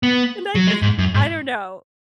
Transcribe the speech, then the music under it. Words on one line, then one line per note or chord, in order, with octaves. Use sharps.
and I just, I don't know.
B3
F#3
G#3
G#2
F#2
G#2